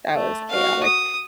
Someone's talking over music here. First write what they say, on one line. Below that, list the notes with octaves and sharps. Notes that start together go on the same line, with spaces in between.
That was chaotic.
A3
F#4 F5
D#6